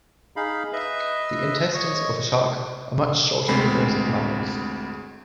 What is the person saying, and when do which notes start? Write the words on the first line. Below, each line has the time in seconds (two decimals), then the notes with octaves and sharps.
The intestines of a shark are much shorter than those of mammals.
0.36 D#4 G#4 F5 B5
0.73 B4 D#5 E5
1.74 C#5 D#5 C#6
3.48 G1 D2 G#3 C4 B5 C7